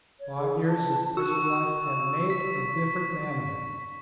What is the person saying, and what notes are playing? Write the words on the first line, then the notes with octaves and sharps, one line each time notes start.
Five years of prison life had made a different man of him.
C#5
G#4
A5
F#4 C#6 E6
B6